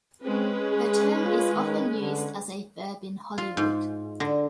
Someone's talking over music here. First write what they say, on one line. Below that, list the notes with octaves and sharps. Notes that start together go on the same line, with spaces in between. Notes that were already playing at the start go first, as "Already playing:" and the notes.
The term is often used as a verb in Hollywood.
G#3 C4 C#4 B4
G#4
F4
D#3
D3
F4
G#2
D3